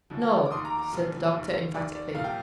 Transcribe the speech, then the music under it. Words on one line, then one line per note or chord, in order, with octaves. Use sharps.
"No," said the doctor emphatically.
D2 D3 F3
D6
D#2 D#3 C6 D#6
A#5 D6
A#5 D6
C2 A#2 F3
D#2 D#3
D#2 D#3 D5
D5
C2 A#2 F3 F5
G5